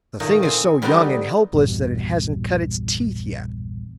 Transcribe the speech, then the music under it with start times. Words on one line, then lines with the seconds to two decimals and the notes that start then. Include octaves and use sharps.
The thing is so young and helpless that it hasn't cut its teeth yet.
0.20 A#2 D#3 A3 D#4
0.43 C4 G#5
0.82 D3 G3 B3 C4 D4 D#4
1.53 A#1 E2 G2 B2